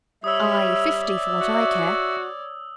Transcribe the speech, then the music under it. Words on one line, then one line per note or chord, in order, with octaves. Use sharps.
Aye, fifty, for what I care.
G3 C#5 E5 D#6 E6
C#5 D5
F#4